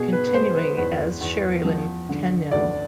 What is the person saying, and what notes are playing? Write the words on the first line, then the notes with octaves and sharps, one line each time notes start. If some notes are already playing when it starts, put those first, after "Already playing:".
Continuing as Sherrilyn Kenyon.
Already playing: B2 G#4
B4
B4
G#3 C5
B4
E2 B4
E2
F3
D3
D2 D5